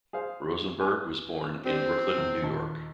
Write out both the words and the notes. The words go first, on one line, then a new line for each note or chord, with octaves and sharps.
Rosenberg was born in Brooklyn, New York.
G#4 C5 F5
G#5
C4 D4 G4 C5
E2
D#2 A#2 A5